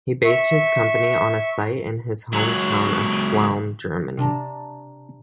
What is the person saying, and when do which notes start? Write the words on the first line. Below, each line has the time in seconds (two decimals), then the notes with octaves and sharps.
He based his company on a site in his home town of Schwelm, Germany.
0.25 E5 C#6
2.33 C#2 F#3
4.17 C3 D4 A5 A#5